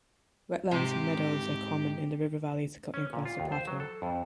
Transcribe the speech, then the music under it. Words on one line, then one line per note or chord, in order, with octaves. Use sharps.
Wetlands and meadows are common in the river valleys cutting across the plateau.
G#2 C3 C4 G4
C#4
A#2
F4
D#2
C5
F#3
A4
F2